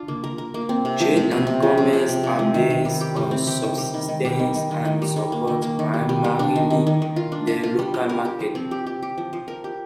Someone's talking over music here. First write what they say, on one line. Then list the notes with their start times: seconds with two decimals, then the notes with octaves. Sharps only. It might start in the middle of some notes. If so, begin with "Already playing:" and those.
Trade and commerce are based on subsistence and supports primarily the local market.
Already playing: D4 F4
0.08 A#3
0.24 A#4
0.38 A#4
0.54 A#3
0.69 C4
0.85 C3
1.00 F3
1.17 C3
1.31 C3
1.47 C3
1.62 F3
1.78 C3
1.93 C3
2.09 C3
2.23 C3
2.39 F3
2.54 D#3
2.70 D#3
2.85 G3
3.01 G4
3.16 G3
3.31 C4
3.47 G4
3.63 D#3
3.78 G3
3.94 D#3
4.09 D#3
4.25 G3
4.39 D#3
4.56 D#3
4.71 D#3
4.85 D#3
5.02 G3
5.16 D#3
5.32 A#3
5.47 D#3
5.62 A#3
5.79 D#3
5.94 G3
6.09 G3
6.24 G3
6.39 D4
6.56 D#3
6.70 D#3
6.87 D#3
7.02 D#3
7.16 F4
7.32 D4
7.47 F4
7.63 F4
7.79 G3
7.94 G3
8.09 A#4
8.25 G4
8.40 F3
8.55 C4
8.71 G4
8.87 G4
9.03 G4
9.18 F3
9.33 F3
9.48 A#4
9.64 G4